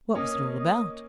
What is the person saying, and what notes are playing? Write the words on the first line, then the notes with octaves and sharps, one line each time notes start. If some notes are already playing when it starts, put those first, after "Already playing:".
"What was it all about."
A#3 C#4 D#5
D#5